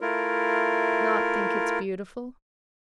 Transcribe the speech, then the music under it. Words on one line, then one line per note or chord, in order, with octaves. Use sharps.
"Not think it beautiful?"
A3 E4 F4 A#4